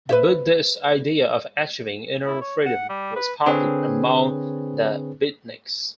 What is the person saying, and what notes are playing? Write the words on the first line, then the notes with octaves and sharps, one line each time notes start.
The Buddhist idea of achieving inner freedom was popular among the Beatniks.
B4 C#5 E5
E4
C#5
F#5
G3
B4
D3 C4 D4 G#4 B4 C#5